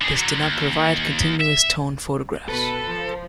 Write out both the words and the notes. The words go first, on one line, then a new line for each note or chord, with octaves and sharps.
This did not provide continuous-tone photographs.
D3 G#4
D3 F#3
D#2
E5
B2 A4 B4
F3